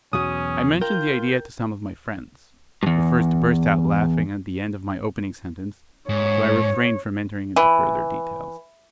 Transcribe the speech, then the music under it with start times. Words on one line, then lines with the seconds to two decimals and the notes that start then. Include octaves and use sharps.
I mentioned the idea to some of my friends: the first burst out laughing at the end of my opening sentence, so I refrained from entering into further details.
0.13 B1 E2 C#4 F#4 D#6
0.81 F4 A#4 G5 G6
2.83 E2 G2
6.09 G#2 C#5
7.56 E3